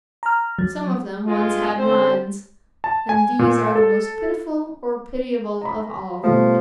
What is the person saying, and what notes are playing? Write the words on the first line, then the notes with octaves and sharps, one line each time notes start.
Some of them once had minds--and these are the most pitiful or pitiable of all.
A#5 F6
F#3
G2 G#3 F4
D3 C4 C#4 C5
A5
G#5
A#2
A4
A#5 B5
B2 F3 G3 A3